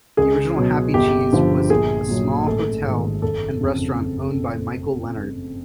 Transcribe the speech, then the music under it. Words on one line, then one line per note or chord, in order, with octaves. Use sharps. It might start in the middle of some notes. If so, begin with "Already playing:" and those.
The original Happy Cheese was a small hotel and restaurant owned by Micheal Leonard.
C#2 G#4
B2 F#3
G1 G4
G2 D3 F3
A#1 G#4
A#2 F#3
A1 A4
G#2 D#3
F#1 A4
F2 C#3